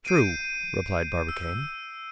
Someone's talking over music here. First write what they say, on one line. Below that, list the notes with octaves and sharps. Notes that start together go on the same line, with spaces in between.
"True," replied Barbicane.
G6 C7 D7 D#7
E6